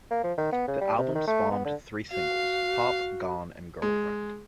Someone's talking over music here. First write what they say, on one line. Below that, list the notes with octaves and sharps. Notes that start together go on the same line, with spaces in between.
The album spawned three singles: "Pop", "Gone" and "Girlfriend".
A#3
F3
D#3
B3
C#3
G3
C3
D#3
A3
B3
D3
F#4 F5
G#3